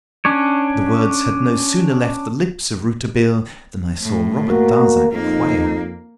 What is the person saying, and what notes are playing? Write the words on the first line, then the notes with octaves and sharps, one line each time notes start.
The words had no sooner left the lips of Rouletabille than I saw Robert Darzac quail.
C#4 D4 C#5
A2
A#3 F#4
F2 A#3 D#4